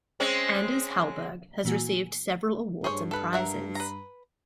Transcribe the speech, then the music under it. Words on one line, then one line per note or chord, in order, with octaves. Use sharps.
Anders Hallberg has received several awards and prizes.
G#3 C4 C#4
A#2 E3 A#3 F#4 G#5
G2 G#4 C5 C#5
A4 B4
A#4 E5 F#5
B4 A#5